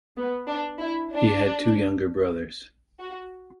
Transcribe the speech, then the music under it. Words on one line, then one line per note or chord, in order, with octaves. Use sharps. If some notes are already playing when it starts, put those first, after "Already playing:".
He had two younger brothers.
B3
D4
E4
D4
F#4